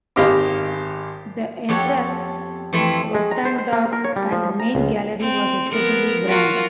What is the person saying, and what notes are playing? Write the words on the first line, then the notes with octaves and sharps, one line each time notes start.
The entrance rotunda and main gallery was especially grand.
G#1 D#3 G4 D#5 F5 D6
F2 G4 A4 C#5 F#5
F2 E3 A3 C4 E4 C6
G#3
A#5
C5
C5
A#3
A#4
C#5
G3
F3
A#5
C#2
C4
F3 B3 A#4
F4 F#4 A#4